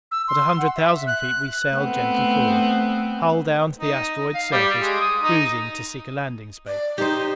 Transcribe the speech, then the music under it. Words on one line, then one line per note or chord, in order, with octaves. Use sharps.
At a hundred thousand feet we sailed gently forward, hull down to the asteroid's surface, cruising to seek a landing space.
E6
C6
F#5
E5
F#6
A3 B3 C4
D#4
F5
G3
G#3
D#6
D#4
D5
D#4 G4 C5